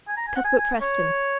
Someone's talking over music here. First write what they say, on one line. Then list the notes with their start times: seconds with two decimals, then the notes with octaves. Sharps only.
Cuthbert pressed him.
0.08 G#5
0.17 A#5
0.27 G#5
0.36 F#5
0.44 G#5
0.58 G#5
0.81 C#5